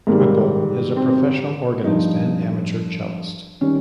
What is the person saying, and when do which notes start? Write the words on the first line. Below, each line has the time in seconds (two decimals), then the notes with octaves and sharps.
Whipple is a professional organist and amateur cellist.
0.07 G#2 D#3 G3 A#3
0.96 C4
1.84 G2 F3 D#4
3.61 D#3 G3 C#4